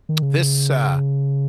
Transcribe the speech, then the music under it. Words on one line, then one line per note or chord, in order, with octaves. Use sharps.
This, uh
D#3
C#3